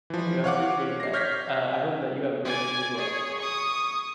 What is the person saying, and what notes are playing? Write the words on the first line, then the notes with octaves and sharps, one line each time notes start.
Thank you, I appreciate that. Uh, I hope that you have a great day as well.
E3 F3
C#5 F5 F#5 D6
A#6 C7
C#5 F6 G6 G#6 A#6 B6
D5 G#5
G#4 C#5
C#6 D#6